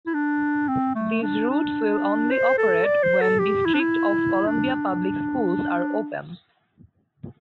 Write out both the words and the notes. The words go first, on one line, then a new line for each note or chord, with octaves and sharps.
These routes will only operate when District of Columbia Public Schools are open.
E4
D4
C4
A3
D4
D4
C5
A4
D5
C5
A4
G4
E4
D4
E4
D4